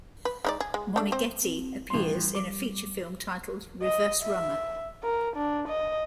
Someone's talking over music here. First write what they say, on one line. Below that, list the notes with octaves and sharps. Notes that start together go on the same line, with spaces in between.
Moneghetti appears in a feature film titled "Reverse Runner".
B4
G#3 D#4 D5
G#4
G#3
A3 D4
C4 C5
C4
A1 G3 C6
D6
D#5
E5
A#4
D4
D#5